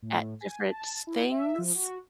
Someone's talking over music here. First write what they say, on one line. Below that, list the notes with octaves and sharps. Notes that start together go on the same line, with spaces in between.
at different s things
A2
G#5
A5
E4
E5
F3
F#4